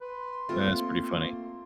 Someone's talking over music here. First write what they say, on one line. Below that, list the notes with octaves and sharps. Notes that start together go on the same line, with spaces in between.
That's pretty funny.
B4 C6
A3 A#3 C4 F4